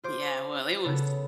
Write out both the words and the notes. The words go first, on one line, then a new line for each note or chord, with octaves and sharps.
Yeah, well, it was
F4 C5 D6
C#3 B3 A4